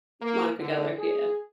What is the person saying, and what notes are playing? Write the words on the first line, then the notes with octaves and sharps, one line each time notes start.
Monica Geller, yeah.
A#3
D3
G#4